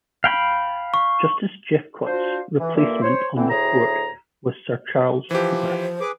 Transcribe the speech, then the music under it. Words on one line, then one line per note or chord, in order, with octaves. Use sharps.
Justice Jeffcott's replacement on the Court was Sir Charles Cooper.
F5 G5 B5
C#6
D4 F4 F#4 C5
E3
G2 A#2 A#3 A4 E5
C5 C#5
D3 E3 C4
D2 A2 G#4 A#5
E3 F3 G4 C5
G#4 B4 D6